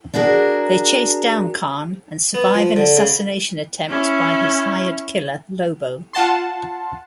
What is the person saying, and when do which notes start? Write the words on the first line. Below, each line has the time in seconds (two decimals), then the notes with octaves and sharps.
They chase down Khan and survive an assassination attempt by his hired killer Lobo.
0.14 D4 F#4 G#4 A#4
2.34 B3
2.54 F3
2.76 D3
2.97 C#3
3.89 C#4 E4
6.13 F4 F#5 A5 C6